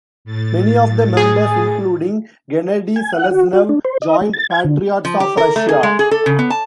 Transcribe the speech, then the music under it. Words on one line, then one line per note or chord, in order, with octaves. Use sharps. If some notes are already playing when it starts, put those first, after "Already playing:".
Many of the members including Gennady Seleznev joined Patriots of Russia.
A2 A6
G#4
G#5
F#5
F#4
F#4
D4
C5
D#5
G#3
A6
G#6
D3
F3
G4
A#4
A3
G#4
G#3
G#4
A4
C#3
B3
A5